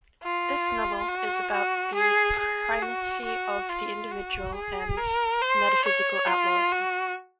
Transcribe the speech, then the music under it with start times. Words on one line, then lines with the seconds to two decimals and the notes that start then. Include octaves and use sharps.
This novel is about the primacy of the individual and "metaphysical outlawism".
0.23 F4
1.08 F#4
1.52 F#4
1.95 G#4
2.39 G#4
2.82 F#4
3.25 F#4
3.69 F4
4.11 F#4
4.55 G#4
4.97 A#4
5.41 C5
5.85 C#5
6.27 F4
6.71 F#4